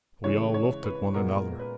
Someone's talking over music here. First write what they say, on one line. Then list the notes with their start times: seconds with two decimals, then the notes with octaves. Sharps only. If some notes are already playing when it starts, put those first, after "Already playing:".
We all looked at one another.
0.24 C#3 E3 G#3 C#5
0.54 C#5
0.84 B4
1.14 A#2 G#3 B3 A#4
1.60 B4